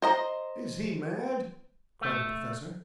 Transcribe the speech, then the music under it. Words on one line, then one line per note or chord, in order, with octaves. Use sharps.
"Is he mad?" cried the Professor.
C5 D#5 A#5
A3